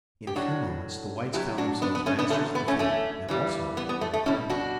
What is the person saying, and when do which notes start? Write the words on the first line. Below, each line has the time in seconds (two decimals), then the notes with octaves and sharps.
In a few moments, the whites found themselves masters of the field, and also of the property.
0.27 G4
0.36 A2 F#3 D4 F#4
1.33 B2 F#3 E4 G4
1.58 D4 F#4
1.82 B3 D4
1.95 B3
2.06 A3 C#4
2.19 B3 D4
2.30 E2 D3 F#3 A3 C#4
2.55 B3
2.68 A3 C#4
2.79 A3 C#4
3.28 G2 E3 G3
3.77 B3
3.89 B3
4.01 A3
4.14 A3
4.26 B2 G3 C#4 E4
4.50 D4 F#4